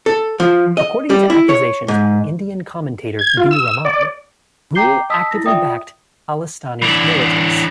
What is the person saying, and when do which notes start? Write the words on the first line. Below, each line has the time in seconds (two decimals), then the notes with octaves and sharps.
According to accusations by Indian commentator B Raman, Gul actively backed Khalistani militants.
0.06 A4
0.40 F3
0.77 D#5
1.10 G3
1.30 E4
1.49 C#5
1.88 G#2
3.19 G#6
3.37 F4
3.51 E6
3.85 D5
4.75 G5 A#5 D6 G6 C7 G7
5.10 D#5 A5 D#6 E6 B6
5.31 E4 A#6
5.46 F4 D5 E5 G5 D#6
6.82 E3 D4